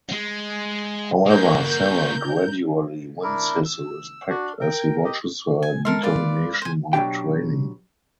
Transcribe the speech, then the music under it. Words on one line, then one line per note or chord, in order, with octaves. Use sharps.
However Sarah gradually wins his respect as he watches her determination while training.
G#3
A#3 F#4 A#4 G6
D4 E4 A#4
E6
D4 F#4
A#4 G5
G4 D#5
G#5
G#3 A4 A#4 C6
F4 A#4 B4 D5
C5 G#5
B2 F#3 C#4 D4 G4 G5